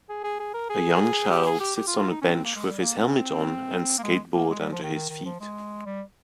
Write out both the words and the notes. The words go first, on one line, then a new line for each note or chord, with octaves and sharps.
A young child sits on a bench with his helmet on and skateboard under his feet.
G#4
G#4
G#4
A#4
G#4
G4
G#4
G4
G4
F4
F4
D#4
C#4
C4
A#3
G#3
G3
A#3
C4
A#3
G#3
A#3
G#3
G3
F3
D#3
D#3
D#3
F3
G#3
G3